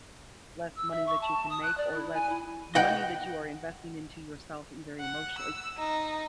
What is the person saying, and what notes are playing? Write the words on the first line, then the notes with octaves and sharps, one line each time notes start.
less money that you can make, or less money that you are investing into yourself and very emotionally.
E6
E5
C#6
A5
D#6
F#6
D5
E4
G#5
E4
D#5 F#5 G5
F#5
E6
D#4